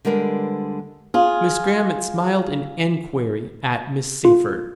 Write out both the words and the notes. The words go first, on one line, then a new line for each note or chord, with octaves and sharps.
Miss Grammont smiled an enquiry at Miss Seyffert.
D3 G3 G#3 A#4 B4
F4 G#4
F4